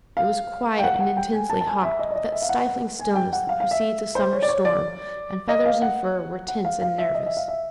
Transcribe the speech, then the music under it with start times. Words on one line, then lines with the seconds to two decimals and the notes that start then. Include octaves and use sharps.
It was quiet and intensely hot, with that stifling stillness that precedes a summer storm, and feathers and fur were tense and nervous.
0.17 F5
0.79 G5
0.84 F#5
1.00 F#5
1.17 G5
1.33 G#5
1.50 A5
1.61 A5
1.67 G#5
1.83 E5
1.99 D#5
2.11 D5
2.16 D#5
2.32 E5
2.42 F5
2.49 F#5
2.66 F#5
3.00 G#5
3.15 G5
3.33 F#5
3.49 F5
3.60 F5
3.71 E5
4.15 C5
4.33 C#5
4.42 D5
4.49 C#5
4.65 D5
5.49 D#5
5.66 F5
5.82 F#5
6.48 F#5
6.65 F5
6.82 F5
6.98 E5
7.15 D#5
7.26 E5
7.37 F5
7.48 E5